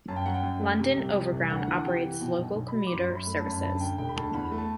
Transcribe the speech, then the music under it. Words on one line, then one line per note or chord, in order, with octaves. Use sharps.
London Overground operates local commuter services.
F#2 A5
G5
F#2 F#5
G5
F#2
A3
C3
C2
C3
C2
D2 F#5
E3
F#5
C3 G5
E3
B2 G5
B1
B1
B5
F#3
D6
F#2 C6
F#2
B5
A3
B5
A5
F#2
B5
D2 A5
D2 G5
E1 G5
B5
D2 A5
E2 B5
A3
A5